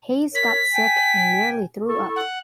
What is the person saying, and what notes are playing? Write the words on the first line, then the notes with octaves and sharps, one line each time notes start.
Hayes got sick and nearly threw up.
A#4 C#5 B6
G5 G#5
E4 A4 C#6
F#5